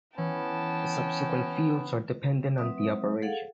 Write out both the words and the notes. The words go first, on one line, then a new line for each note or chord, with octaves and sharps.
The subsequent fields are dependent on the operation.
E3 B3 C#4 G5 A5
F#3 C4 B4 E5 D#6
G#4 A4 C#5 F5 F#5